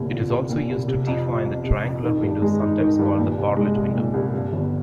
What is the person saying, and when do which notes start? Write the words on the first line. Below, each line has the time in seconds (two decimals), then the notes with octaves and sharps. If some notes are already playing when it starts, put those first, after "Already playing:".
It is also used to define the triangular window sometimes called the Bartlett window.
Already playing: G1 C2 A#2
0.11 F3
0.30 C2
0.49 A#2
0.69 C2
0.88 C3
1.07 F2
1.27 F3
1.45 F2
1.64 C3
1.84 F2
2.03 D#3
2.22 G2
2.42 G#3
2.60 D#4
2.79 D#3
2.99 G2
3.18 A#2
3.38 C2
3.57 G#3
3.76 C2
3.95 A#2
4.14 C2
4.33 G2
4.53 G1